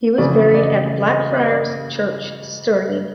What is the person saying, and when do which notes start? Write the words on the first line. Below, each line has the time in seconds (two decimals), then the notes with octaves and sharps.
He was buried at Blackfriars' Church, Stirling.
0.18 F2 C#3 E3 A3 C4 D5
0.54 D5
0.63 D#5
1.07 D#5
1.38 D#5
1.50 D5